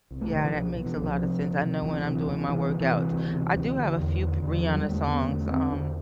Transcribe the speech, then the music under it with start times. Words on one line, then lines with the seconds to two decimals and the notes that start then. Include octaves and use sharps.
Yeah, that makes a lotta sense, I know when I'm doing my workout. I do have a few p Rihanna songs, um,
0.11 C2
0.21 A3
0.32 B2 D3
0.45 E3
0.53 C2 F3
0.75 B2
0.86 E3
0.96 C2
1.03 F3
1.19 C3
1.40 D2
1.62 C3
1.83 D2 E3
1.99 E3
2.05 C3
2.15 E3
2.27 D2 E3
2.48 C3 E3
2.70 D2
2.81 E3
2.91 C3
3.13 D2
3.34 C3
3.56 D2
3.78 D3
3.99 E2
4.21 D3
4.43 E2 D3
4.58 F3
4.64 D3
4.75 G3
4.86 E2
4.91 A3
5.07 D3 B3
5.29 E2 A3
5.50 D3 C4
5.72 E2 D4